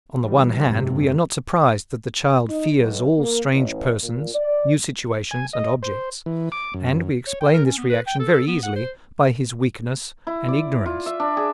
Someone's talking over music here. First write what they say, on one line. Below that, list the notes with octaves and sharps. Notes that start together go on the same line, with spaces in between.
On the one hand we are not surprised that the child fears all strange persons, new situations and objects, and we explain this reaction very easily by his weakness and ignorance.
E3 G3
F#1 G#2 C3
D#4
B1
A#3
A1
A#2
D5
G#5
D#5
C5
E3
D6
F#2
C#5
G5
A#4
C#4
B3
B4
G5
A4
A4
B3
F#5
C5
E4
D5
F4
E5
D4
G#4